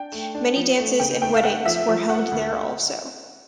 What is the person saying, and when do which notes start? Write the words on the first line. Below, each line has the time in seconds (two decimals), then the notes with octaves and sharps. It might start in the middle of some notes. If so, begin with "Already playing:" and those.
Many dances and weddings were held there also.
Already playing: D4 G5
0.12 A3
0.35 D4
0.56 F3
0.78 A3
0.99 C#3 G5
1.22 A3 G5
1.34 F5
1.43 A3 F#5
1.65 F3 E5
1.88 F3
2.09 A3 F#5
2.32 D2